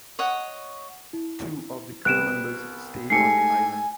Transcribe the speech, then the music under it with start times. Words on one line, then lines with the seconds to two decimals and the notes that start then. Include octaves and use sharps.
Two of the crewmembers stayed on the island.
0.19 C#5 D#5 F#5
1.13 E4
2.05 C2 B3 F#6 D7 E7
3.10 G#2 A3 G4 G#5 C7 C#7